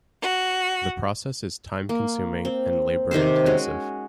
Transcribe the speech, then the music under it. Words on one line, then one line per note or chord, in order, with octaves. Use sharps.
The process is time-consuming and labor-intensive.
F#4
A#3
C4
C3 D#3 G4 C5
G#3 C#4 F#4